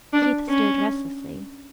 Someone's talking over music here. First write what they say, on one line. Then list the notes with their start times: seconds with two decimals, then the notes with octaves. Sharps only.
Keith stirred restlessly.
0.13 D4
0.49 C#4